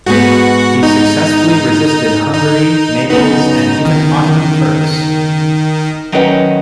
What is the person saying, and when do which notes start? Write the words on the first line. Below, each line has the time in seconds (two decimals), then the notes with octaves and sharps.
He successfully resisted Hungary, Naples, and even Ottoman Turks.
0.06 G#2 G#3 B3 F#4 G#4 B4
0.83 D#4
2.34 D#4
3.09 F#2 C#3 B3 D#4 F#4 B4
3.85 D#3
6.12 D#3 F#3 C#4 B4 D#5